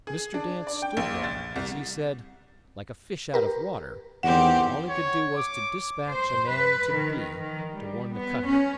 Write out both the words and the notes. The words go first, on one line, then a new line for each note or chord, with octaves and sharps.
Mr. Dance stood there, as he said, "like a fish out of water," and all he could do was to dispatch a man to B---- to warn the cutter.
G#4
D4
D5
G5
A#1
A6
C2
G4 A#4 B4
E2 D#3 C4 G4 F#5 E7
C#5
D6
C5
B4
D#3
D#3
G3
B3
C#4